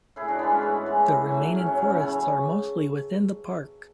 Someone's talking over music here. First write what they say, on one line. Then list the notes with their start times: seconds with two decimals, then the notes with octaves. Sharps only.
The remaining forests are mostly within the park.
0.16 A2 E4 G#4
0.28 D4 F#4
0.39 E3 G#3 B3
0.51 C#4
0.63 A2
0.86 E3 G#3
1.08 A2
1.32 F#3 A3
1.55 A2 C#4
1.66 C#4
1.77 F#3 A3 C#4
1.90 C#4 E4
2.00 C#3